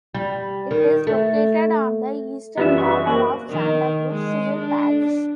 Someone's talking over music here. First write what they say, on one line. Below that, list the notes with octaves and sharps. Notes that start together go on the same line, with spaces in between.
It is located on the eastern border of Santa Cruz civil parish.
G3
D#3
A3
F#2 E3 G3 B3 F4 E5
G#3 E4 F#4 B4 E5 C#6
A#3 F#4 C5 D6
D#3
G#3
D4